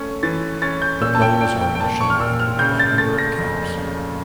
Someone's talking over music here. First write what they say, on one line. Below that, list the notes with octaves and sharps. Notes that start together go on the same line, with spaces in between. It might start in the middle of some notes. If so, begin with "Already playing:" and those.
The players are initially ordered by number of caps.
Already playing: A3 C#4
E3 A6
C#4 A6
G6
A#2 E6
A5
G5
A#2 G5
G5
G5
A#2 A5
C#6
F6
A#2 E6
F6
C#3 G6
A6
A3 A6
A#6
F2
C#3